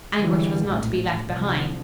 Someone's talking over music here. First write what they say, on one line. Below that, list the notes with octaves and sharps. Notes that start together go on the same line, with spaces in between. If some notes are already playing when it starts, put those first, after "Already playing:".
Anguish was not to be left behind.
D3 E3 G3 G#3
A#1 A2
C2 D3 F3